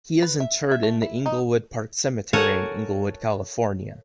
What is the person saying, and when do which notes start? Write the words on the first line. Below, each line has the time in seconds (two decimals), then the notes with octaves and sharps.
He is interred in the Inglewood Park Cemetery in Inglewood, California.
0.23 B4
0.40 E5
0.71 E5
0.83 A3
1.02 E4
1.26 D#4
2.33 F#4 A4 A#4 C#5 F#5 G#5